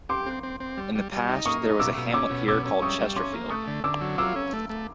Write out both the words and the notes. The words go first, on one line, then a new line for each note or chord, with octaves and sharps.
In the past there was a hamlet here called Chesterfield.
G4 C6 D6
C4
C4
C4
G3
G3
G3
D#4
A#3 C#6 D#6
D#4
B2 D6 E6
B2
C#4 D6 E6
B2
C#4 D6 E6
C#4
G3 C#6 D#6
G3
C#4 C6 D6
A#3
A3 C#6 D#6
D3
D3 D6 E6
F#3
F4 D6 E6
C#4
A3
A3